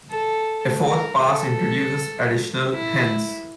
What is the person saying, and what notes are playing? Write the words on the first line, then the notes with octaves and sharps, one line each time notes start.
A fourth pass introduces additional hens.
A4
A#4
A4
E4